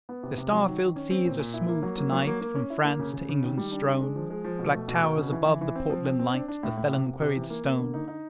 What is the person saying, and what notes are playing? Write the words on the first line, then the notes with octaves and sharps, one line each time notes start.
The star-filled seas are smooth to-night From France to England strown; Black towers above the Portland light The felon-quarried stone.
B3
C3
C3
F#3
D#3
D#3
C#4
C4
A#2
A#2
E4
A#3
F#3
A#3
F#3
A#3
A#3
C#4
E4
A#3
C#3
C#3
C#3
D#3
G3
D4
D4
G#3
F3
G#3
F3
B2
A3
B2
B2
C#3
E3
E3
E3
C4
F3
C4
C4
D4
D4
A2
A2
C3
C3
C3
E3
A#3
A#3
D3
D#4
D#4